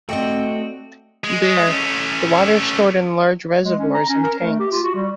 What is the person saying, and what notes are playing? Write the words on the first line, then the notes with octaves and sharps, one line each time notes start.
There, the water stored in large reservoirs and tanks.
A3 C4 F#4 D5 D#5 G5
G#3
A3 C#4
G#3
C#4
A#5
C#4
A#4
A3
G4
F4
F#4
G3